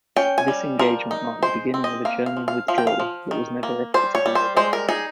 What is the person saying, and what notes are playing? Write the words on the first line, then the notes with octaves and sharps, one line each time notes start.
This engagement marked the beginning of a German withdrawal that was never effectively reversed.
C#4 G5
G#5
G3
F3 A#4
D#4
G#3 C5
C4
D#5
A#3 F5
F5
F3
F5
F3 F5
G5
F5
F3
D#3
A#3
G3 C5
C#5
G3
C5
G#3 C5
A#4
D#4 G#4